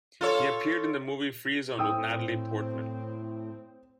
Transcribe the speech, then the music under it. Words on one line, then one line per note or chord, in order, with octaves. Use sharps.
He appeared in the movie "Free Zone" with Natalie Portman.
F4 A4 C#5
A2 C4 G5 D#6 E6